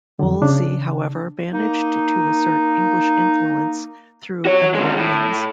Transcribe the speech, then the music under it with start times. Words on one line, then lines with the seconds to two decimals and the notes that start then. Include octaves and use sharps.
Wolsey, however, managed to assert English influence through another means.
0.19 F2 D3
0.42 C#3 D4
1.53 A#3 D#4
4.46 F#4 C#5
4.75 D3 G#3
4.97 A2